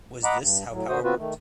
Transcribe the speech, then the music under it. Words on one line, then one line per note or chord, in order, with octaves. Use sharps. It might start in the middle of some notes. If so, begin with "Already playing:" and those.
Was this how power worked?
D#5 F#5 A#5 B5 D6
G2
A2 F#3
D3 F#4 C5 D#6
B3 C4 F4 F#4 B4
D#3 A3